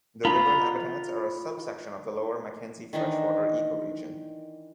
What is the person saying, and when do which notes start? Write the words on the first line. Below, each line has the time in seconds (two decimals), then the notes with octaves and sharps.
The river habitats are a subsection of the Lower Mackenzie Freshwater Ecoregion.
0.25 F4 A#5 B5
2.93 D#3 E3 D4 D#4